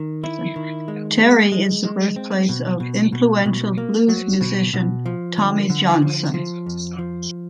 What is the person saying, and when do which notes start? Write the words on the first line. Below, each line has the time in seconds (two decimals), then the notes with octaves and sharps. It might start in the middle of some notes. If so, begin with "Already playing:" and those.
Terry is the birthplace of influential blues musician Tommy Johnson.
Already playing: D#3
0.24 E4
0.56 D#3
0.88 G#3
1.20 G#3
1.52 G#3
1.84 G#3
2.16 C4
2.49 B2
2.80 B2
3.12 B2
3.45 B2
3.78 A#3
4.09 F#3
4.41 B2
4.74 B2
5.06 F3
5.38 D3
5.70 D3
6.02 F3
6.34 F3
6.66 F2
6.99 F3